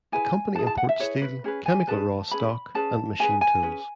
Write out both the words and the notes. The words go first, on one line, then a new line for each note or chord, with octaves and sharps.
The company imports steel, chemical raw stock, and machine tools.
E4 G#4 B4 G#5
B4 A5
E4 G#4
A5
F#5
E5
E4 G#4 B4 C#5
B4
C#4 G#4 B4
G#5
C#4 G#4 B4 A5
C#4 G#4 B4 B5
C#4 G#4 B4 A5
C#4 G#4 B4 G#5
G#5
C#4 G#4 B4